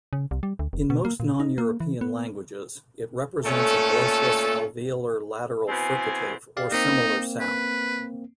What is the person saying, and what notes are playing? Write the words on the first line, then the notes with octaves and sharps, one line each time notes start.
In most non-European languages, it represents a voiceless alveolar lateral fricative or similar sound.
C#3
C2
G3
D2
F1
B2
A#3
A#2
D#4
A#3
E3
B3
A#2 A3 C#4 A4
B2 E3 C4 G#5
G4 D5 F5
A#3 C4 D#4
B4